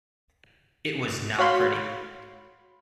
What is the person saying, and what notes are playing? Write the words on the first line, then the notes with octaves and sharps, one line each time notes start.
It was not pretty.
F#4 C#5 F5 B5 C6